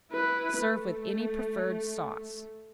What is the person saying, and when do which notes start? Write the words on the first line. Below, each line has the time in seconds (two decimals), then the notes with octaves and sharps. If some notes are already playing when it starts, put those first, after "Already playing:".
Serve with any preferred sauce.
0.12 E4 B4
0.61 A3